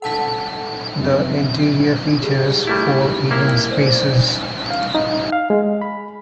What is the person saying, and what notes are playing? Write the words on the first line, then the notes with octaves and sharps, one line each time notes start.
The interior features four event spaces.
A4 F#5 A5 B6
F#1 F#2 C3
G4 G#4
G3 A3 E4
A#3 E4
C5 D5
F5
D#4
F5
G#3
B5